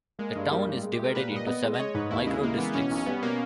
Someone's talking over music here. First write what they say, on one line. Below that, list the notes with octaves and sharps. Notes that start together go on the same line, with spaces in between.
The town is divided into seven microdistricts.
G#3 A#3
G2 G#3
G3 A#3
A#3
G#3
G4
G#3
A#4
A#2 B4
B4
A#2
D#5
B3
G#3
D#5
G#3 C#5
G#2 B4
D#2 E4
C#3 G#3
C#3 A#3
E3 B3
B2 C#4
B1
C#4
G3 B3
B2 A#3